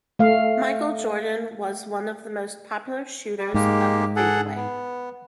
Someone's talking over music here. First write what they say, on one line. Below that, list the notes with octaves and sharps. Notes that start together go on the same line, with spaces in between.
Michael Jordan was one of the most popular shooters of the fadeaway.
A3 F5
G3
G#2 G#3 A#3 G4
G#4 A4 F#5
B3